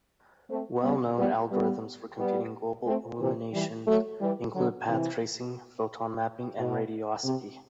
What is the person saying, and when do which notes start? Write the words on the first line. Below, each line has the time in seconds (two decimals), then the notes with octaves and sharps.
Well known algorithms for computing global illumination include path tracing, photon mapping and radiosity.
0.50 A3 C4
0.83 G3 B3
1.18 G3 B3
1.51 G3 B3
2.18 G3 B3
2.86 A3 C4
3.19 C3 E3
3.53 E3 G3
3.87 F#3 A3
4.21 E3 G3
4.55 D3 F#3
4.88 C3 E3
6.58 B2
7.24 C3